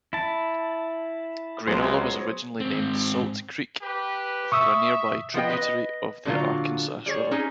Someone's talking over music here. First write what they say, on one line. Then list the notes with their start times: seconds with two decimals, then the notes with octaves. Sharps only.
Grainola was originally named Salt Creek for a nearby tributary of the Arkansas River.
0.13 E4 A5
1.67 C#2 F#3 B3 G#4 C5
2.61 G#2 C4
3.82 G4 B4
4.52 E5 C#6 D#6 E6
5.34 F3 B3 D#5 G5
5.50 B4 D#5
6.25 A#2 D3 F#3 F4
7.06 G3 G#4 C#5
7.31 C#4 D#4 G#4